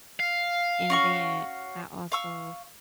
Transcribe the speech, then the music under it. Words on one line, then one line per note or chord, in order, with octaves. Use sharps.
And then I also,
F5
C#4 F#4 C#6
F5 C#6 E6